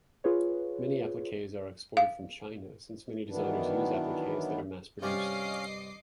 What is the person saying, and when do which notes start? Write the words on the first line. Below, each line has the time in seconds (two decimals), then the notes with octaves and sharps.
Many appliques are exported from China, since many designers use appliques that are mass-produced.
0.24 F4 G#4 B4 C#5
1.97 F5
3.29 D#3 E3 F#3 B3 D4
5.02 G2 C3 C#4 D5 D#5 F5 D6 C7